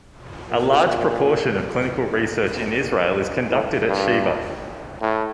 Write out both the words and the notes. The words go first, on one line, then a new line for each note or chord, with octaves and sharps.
A large proportion of clinical research in Israel is conducted at Sheba.
A#2
A2
G2
A2